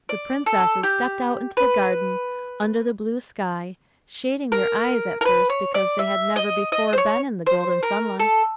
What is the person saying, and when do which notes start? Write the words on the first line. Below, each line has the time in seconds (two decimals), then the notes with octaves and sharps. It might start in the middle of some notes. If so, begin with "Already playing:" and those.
The princesses stepped out into the garden, under the blue sky, shading their eyes at first because they had never before been in the golden sunlight.
0.09 D5
0.46 A4
0.83 G4
1.57 B4
4.52 A#4
5.21 A#4
5.25 B4
5.50 C#5
5.74 D5
5.99 E5
6.36 D#5
6.72 D#5
6.93 C5
6.98 C#5
7.46 C5
7.83 A#4
8.20 A4